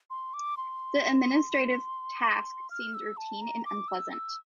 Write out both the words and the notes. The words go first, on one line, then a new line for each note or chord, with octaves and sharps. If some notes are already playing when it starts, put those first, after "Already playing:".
The administrative task seemed routine and unpleasant.
C6
D6
C6
F6
E6
A5
A#5
D6
E6
E6